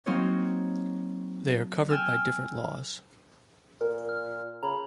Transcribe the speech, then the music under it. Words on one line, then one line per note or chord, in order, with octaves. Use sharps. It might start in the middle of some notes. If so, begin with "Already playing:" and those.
They are covered by different laws.
F#3 A#3 C4 D#4 A#4 C#5
G5 G#5 E6 F6
A#2 A#4
F6
C#3 A#5 B5